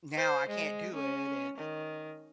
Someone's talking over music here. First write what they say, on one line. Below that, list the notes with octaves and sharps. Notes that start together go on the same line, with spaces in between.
now I can't do it, and,
C5
G#3
C#4
D#3